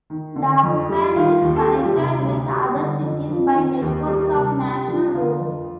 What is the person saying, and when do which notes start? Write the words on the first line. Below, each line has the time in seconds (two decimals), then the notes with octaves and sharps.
Dagupan is connected with other cities by networks of national roads.
0.10 D#3
0.36 D3
0.63 F2
0.89 G3
1.16 D#3 F4
1.42 D#2
1.56 A4
1.65 G3 G4
1.75 F4
1.85 G3 G4
1.95 C3 D#4
2.21 D2
2.49 G3
2.75 D3
3.02 F2
3.29 F3
3.55 D#3
3.82 D#2
4.07 G3
4.34 C3
4.62 C2
4.88 F3
5.14 D3 F4
5.40 F2